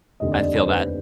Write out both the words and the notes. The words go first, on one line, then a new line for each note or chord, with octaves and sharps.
I feel that.
F1 D#2 D3 D#5
D5
D5
C5
B4